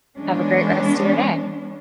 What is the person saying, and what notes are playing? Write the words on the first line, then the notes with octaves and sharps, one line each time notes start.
have a great rest a your day.
E3 G#3 B3 C#4 D4